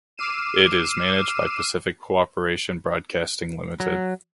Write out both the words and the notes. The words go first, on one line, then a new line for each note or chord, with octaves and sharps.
It is managed by Pacific Cooperation Broadcasting Limited.
D6 E6 F6 C7 D#7 E7
F#3